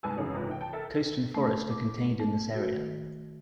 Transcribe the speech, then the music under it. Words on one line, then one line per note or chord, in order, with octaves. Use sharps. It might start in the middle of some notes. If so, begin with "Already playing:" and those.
Coast and forest are contained in this area.
C2 G#2 B4 G#5 A5 E6
F1 F#2 C#3 E3 G#4
G#2 C3 F4 B4
E3 G5
G5 A5
A4 A#4 E5 A6
A3
D6
A3
F#4
D#3